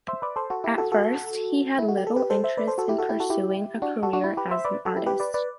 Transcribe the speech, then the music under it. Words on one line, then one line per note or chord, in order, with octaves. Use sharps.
At first, he had little interest in pursuing a career as an artist.
C5 E5
B4 D5
A4 C5
F#4 A4
E4 G4
F#4 A4
F#4 A4
E4
F#4
G4
A4
G4 B4
A4 C5
C5 E5
B4 D5
A4 C5
F#4 A4
E4 G4
F#4 A4
E4 G4
F#4 A4
E4 G4
D4 F#4
F#4 A4
D4 F#4
E4
G4 B4
C5 E5
B4 D5
F#4 A4
E4 G4
G4 B4
B4 D5
B4 D5